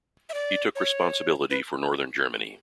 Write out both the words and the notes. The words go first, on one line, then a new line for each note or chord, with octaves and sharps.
He took responsibility for Northern Germany.
E5
D5
C#5
B4